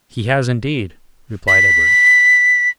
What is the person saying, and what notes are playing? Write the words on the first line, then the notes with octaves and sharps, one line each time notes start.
"He has, indeed," replied Edward.
B6